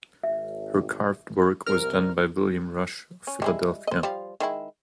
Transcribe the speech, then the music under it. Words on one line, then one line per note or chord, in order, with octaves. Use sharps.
Her carved work was done by William Rush of Philadelphia.
G#1 E5
C2 A#4 F6
C#4
G3 G#3 E4
C5 D#5
F3 G3 F4
D#3 G#3 E4